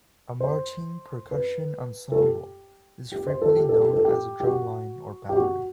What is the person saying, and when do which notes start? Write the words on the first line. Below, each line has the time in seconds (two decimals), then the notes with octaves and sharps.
A marching percussion ensemble is frequently known as a drumline or battery.
0.40 C5
1.31 B4
2.12 A4
2.20 G4
3.12 G4
3.27 C5
3.42 A4
3.56 G4
3.69 A4
3.81 G4
3.93 A4
4.05 G4
4.40 G4
4.47 F#4
5.29 G4
5.36 F#4